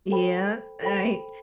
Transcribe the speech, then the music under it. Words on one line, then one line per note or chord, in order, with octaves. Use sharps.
yeah, I
A4 C5 G5 B5
A4 C5 G5 B5